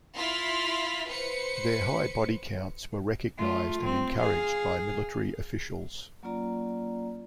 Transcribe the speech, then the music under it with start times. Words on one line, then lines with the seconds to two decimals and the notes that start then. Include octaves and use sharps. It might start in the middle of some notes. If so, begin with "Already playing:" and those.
Their high bodycounts were recognized and encouraged by military officials.
0.15 E4 F4 C6 F6 A6 B6
1.07 B4 C5 C#7
3.38 A3 F4
3.83 C4
4.19 G#4 F5
6.23 F#3 A#3 C#4 F4 D5 A#5